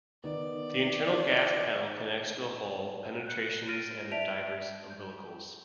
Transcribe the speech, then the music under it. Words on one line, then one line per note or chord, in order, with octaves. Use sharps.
The internal gas panel connects to the hull penetrations and the diver's umbilicals.
D#3 B3 D5
F#6 G6 C#7
F6 G6 A6 A#6 D7 D#7
D5 E5 A5 B6 D7 F7
G6